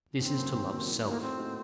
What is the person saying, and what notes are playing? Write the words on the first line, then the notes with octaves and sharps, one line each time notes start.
This is to love self.
D#2 C4
C#3 F#3 A#3
D#2
C#3 F#3 A#3
A2
A3 A#3 D#4 F#4
A2 C4
A3 D#4 F#4